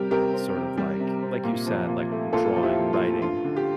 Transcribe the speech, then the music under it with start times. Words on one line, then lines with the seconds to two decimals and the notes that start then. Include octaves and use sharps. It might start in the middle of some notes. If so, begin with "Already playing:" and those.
sort of like like you said, like w drawing, writing,
Already playing: C3 G3 G4 A#4
0.11 C3 G4 A#4
0.33 C4
0.56 C3
0.77 G3
1.00 C3
1.22 C4
1.44 A#2
1.67 F3
1.89 A#2
2.12 A3
2.33 A#2 F4 A4
2.56 F3
2.63 E4 G4
2.78 A#2
2.93 F4
3.00 A3
3.22 G2 F4
3.44 D3
3.56 G4